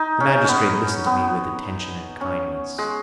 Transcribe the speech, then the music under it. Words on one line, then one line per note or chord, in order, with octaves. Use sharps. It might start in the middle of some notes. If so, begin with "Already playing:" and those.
The magistrate listened to me with attention and kindness.
Already playing: D#4
C#4
B3 C#4
B3
C#4
G#3